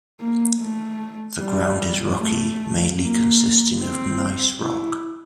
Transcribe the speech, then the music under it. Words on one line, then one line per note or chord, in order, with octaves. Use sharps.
The ground is rocky, mainly consisting of gneiss rock.
A#3
A3
G3
A3
A#3
C4
E4